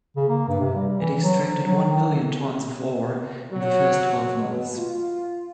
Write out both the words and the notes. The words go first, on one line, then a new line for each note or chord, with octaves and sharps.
It extracted one million tonnes of ore in the first twelve months.
C#3
A#3
G2
C3
G3
E3
F#3
F3
F#3
D#3
D3
F#3
B2
F4